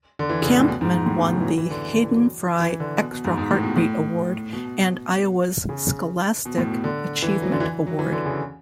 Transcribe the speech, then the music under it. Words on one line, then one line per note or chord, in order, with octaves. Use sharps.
Kampman won the Hayden Fry "Extra Heartbeat" award and Iowa's Scholastic Achievement award.
D3
E3
C#3
D3
A2
B2
G#2
G#2
A2
B2
C#3
E3
F#3
E3
D3
D3
E3
F#3
E3
D3
B2
B2
G#2
G#2
A2
B2
A2
B2
C#3
B2
A2
B2
D3
E3
F#3
D3
E3
F#3
E3
D3
C#3